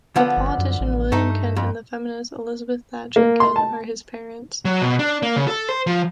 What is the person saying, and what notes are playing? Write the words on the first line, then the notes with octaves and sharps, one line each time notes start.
The politician William Kent and the feminist Elizabeth Thacher Kent are his parents.
D3 F3 B3
G1
F#2
A1
G2 A3 D#4
F2
A#3
C6
A5
F#3
B2
D4
A#3
C#3
A4
C5
F3